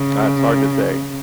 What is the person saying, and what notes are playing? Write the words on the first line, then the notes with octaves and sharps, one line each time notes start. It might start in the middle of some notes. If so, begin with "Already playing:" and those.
ah, it's hard to say
Already playing: C#3